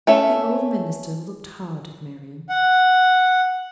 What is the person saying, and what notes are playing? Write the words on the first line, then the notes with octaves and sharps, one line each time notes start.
The old minister looked hard at Marian.
A3 C#4 E5
F#5